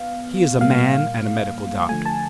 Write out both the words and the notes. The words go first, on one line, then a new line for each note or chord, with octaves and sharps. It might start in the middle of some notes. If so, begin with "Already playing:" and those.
He is a man and a medical doctor.
Already playing: B3 F5
A#2 G3 A#3 F5
D3 F3 A3 G#5
A5